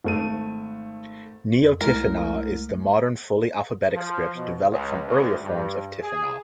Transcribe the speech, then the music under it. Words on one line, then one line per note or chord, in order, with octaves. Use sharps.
Neo-Tifinagh is the modern fully alphabetic script developed from earlier forms of Tifinagh.
G#1 A3 D#7
F2
C2 G#3 A3 A#4
F3
B2
C#2
D2
G2
G#4